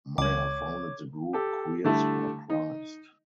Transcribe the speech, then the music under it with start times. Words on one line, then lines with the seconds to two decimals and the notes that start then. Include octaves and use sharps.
Meyer founded the group Queers for Christ.
0.18 C#2 C#5 D6
1.33 G4 A4
1.85 D3 G3 A3 E4
2.50 D#4